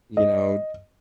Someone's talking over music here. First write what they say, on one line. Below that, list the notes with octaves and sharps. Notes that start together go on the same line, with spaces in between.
you know
D#5